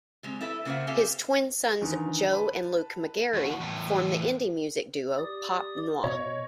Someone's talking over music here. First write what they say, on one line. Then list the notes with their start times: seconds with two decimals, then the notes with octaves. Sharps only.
His twin sons, Joe and Luke McGarry, form the indie music duo Pop Noir.
0.23 G3 G#3 C4
0.41 E4 A4 B4 E5
0.65 C#3 A#3 F4 C5 E5 F#5
0.87 C4 G4 A4 C5 F5 G#5
1.81 E2 D3 D#3
2.33 B4 A5 B5
3.33 D#2 F#4
3.60 E2 A2
5.18 G4 D5 D#6
6.04 B2 C#5 D#5